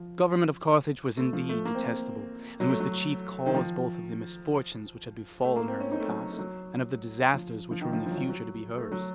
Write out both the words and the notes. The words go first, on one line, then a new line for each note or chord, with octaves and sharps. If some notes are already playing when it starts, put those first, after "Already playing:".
The government of Carthage was indeed detestable, and was the chief cause both of the misfortunes which had befallen her in the past, and of the disasters which were in the future to be hers.
Already playing: F3
A3
F3
A3
A#3
C4
A#3
F#3
A3
F#3
D#3
F3
A3
A#3
C4
C#4
D#4
A3
F#3
A3
F#3
F3
F3
D#3
F3
F3
F#3
F3
F#3
A3
F#3